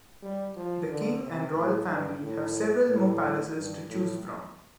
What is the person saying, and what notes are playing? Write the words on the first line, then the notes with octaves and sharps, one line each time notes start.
The king and Royal Family have several more palaces to choose from.
G3
F3
D3
C3
A2
G2
A2
A2
G2
A2